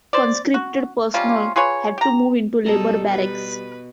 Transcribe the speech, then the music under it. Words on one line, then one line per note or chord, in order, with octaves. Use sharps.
Conscripted personnel had to move into labour barracks.
C5 D5
F#4
C3 G3 C#4 F4
F4 G#4 B4 C#5
G4 A#5
B2 G3 A4 D#5 A#5
B4